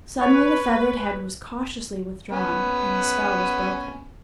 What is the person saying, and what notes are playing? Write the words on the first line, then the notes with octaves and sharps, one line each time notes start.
Suddenly the feathered head was cautiously withdrawn, and the spell was broken.
B4 C#5
B3 C#4 B4